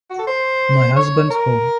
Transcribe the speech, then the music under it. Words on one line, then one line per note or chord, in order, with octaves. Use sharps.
My husband's home!
F#4
A4
C5
C#5
A#4